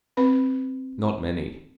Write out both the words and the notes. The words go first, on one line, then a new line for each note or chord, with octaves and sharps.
Not many!
C4 B4 B5